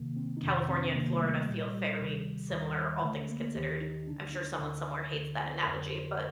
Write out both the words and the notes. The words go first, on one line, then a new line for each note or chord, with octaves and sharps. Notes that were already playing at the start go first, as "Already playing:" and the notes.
California and Florida feel fairly similar, all things considered. I'm sure someone somewhere hates that analogy, but,
Already playing: C2 C3 D#3 A#3
C4
D#4
F2 C3 D#3 D4
C4
D4
C4
D2 C3 D#3 A#3
G3
A3
C2 A#2 G3
G3
D2 C3 D#3
D#2 D#3
D2 D3 A3
A#3
D#2 D#3 G4
D#4
D2 D3 D4
D#4
D2 D3
D2 D3
F2 D3 A#4
C5